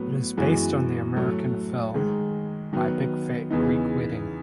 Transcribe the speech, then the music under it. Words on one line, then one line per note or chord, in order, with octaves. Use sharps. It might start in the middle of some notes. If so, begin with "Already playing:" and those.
It is based on the American film "My Big Fat Greek Wedding".
Already playing: A2 F#3 B3
F#2 E3 G#3 B3 F#4
A2 F#3 A3
G#2 D#3 G#3
D#3 F#3 B3
E2 C#3 E3 B3 D#4